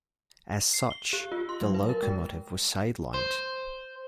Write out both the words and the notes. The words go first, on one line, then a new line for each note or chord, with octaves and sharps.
As such, the locomotive was sidelined.
C7
G7
G4
F4
C6
F#3
B4
A#4
G#3
C5